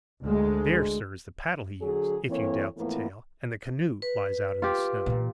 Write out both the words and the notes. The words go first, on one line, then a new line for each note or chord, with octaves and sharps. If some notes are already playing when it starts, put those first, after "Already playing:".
There, sir, is the paddle he used, if you doubt the tale, and the canoe lies out in the snow.
D2 G#3
D3 F#3 G#4
E3 A#3 C4 A4 C#5
F2 A2 E3 A#3 B3
B4
F4 G4
A#2 E3